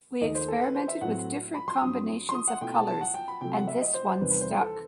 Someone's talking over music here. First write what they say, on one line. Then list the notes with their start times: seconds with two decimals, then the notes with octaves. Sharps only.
We experimented with different combinations of colours and this one stuck.
0.21 D#2 D#3 A3 D#4 D#5
0.35 C5
0.48 A4
0.61 B4
0.75 C5
0.88 E5
1.01 A2 F#3 C4 F#5
1.55 B5
1.68 C6
1.81 G2 F#3 C4 D#6
2.29 C6
2.35 D#6
2.48 F#5
2.61 B2 A3 E4 G5
2.75 A5
2.87 A5
3.01 F#5
3.14 G5
3.28 B5
3.41 C3 F#3 A3 C4 G5
3.54 F#5
3.68 E5
3.81 D#5
3.94 C5
4.08 C5
4.21 E2 C3 D#3 G3 B4
4.31 B4
4.41 C5
4.51 B4
4.61 A4